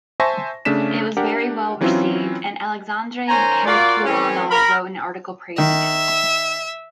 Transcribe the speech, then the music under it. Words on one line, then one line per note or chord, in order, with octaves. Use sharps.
It was very well-received, and Alexandre Herculano wrote an article praising it.
C5 E5 G#5 A5 C#6 A#6
C#3 A3 C#4 D4 B6 E7
D4 G4 A#4 F#5
E3 F#3 C4 C#4 E4 F4
D#3 C#4 C5 G#5 A#5
A#3 F4 F#4 D5
A2 E3 C4 C#4
A#4 B5
D#3 E5